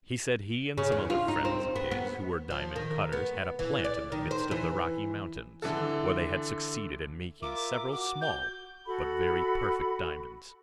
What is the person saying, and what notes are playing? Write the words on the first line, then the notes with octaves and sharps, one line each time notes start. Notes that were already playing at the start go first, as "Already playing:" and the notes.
He said he and some other friends of his, who were diamond cutters, had a plant in the midst of the Rocky Mountains, where they had succeeded in making several small, but very perfect diamonds.
C#3
E2
F4
D#4
C4
B3
B3
F3
D#3
B3
E3
D5
D#3
C5
E3
D3 E3 A4
F4 A#4 E5 D6
F#4 D6
G6
F#4 A4 B5